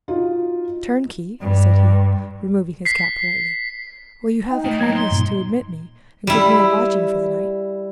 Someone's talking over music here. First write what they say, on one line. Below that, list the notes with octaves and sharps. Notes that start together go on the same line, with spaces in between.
"Turnkey," said he, removing his cap politely, "will you have the kindness to admit me, and give me a lodging for the night?"
D#4 F4 F#4
G2
B6 C7
D#4 G5
A2 A3
A2 F#3 A#5 G#6
C6
G2 A#2
G3 E4